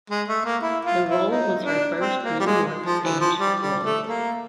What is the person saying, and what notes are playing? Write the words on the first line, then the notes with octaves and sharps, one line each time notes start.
The role was her first New York stage role.
G#3
A3
A#3
E4
F4
E4
D#4
D4
C4
A#3
G3
G#3
F3
E3
F3
G3
G3
A3
A#3